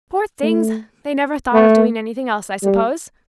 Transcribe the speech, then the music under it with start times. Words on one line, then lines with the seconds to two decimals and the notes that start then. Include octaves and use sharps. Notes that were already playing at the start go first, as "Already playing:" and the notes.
Poor things, they never thought of doing anything else, I suppose!
0.43 A3
1.53 A3
2.63 G3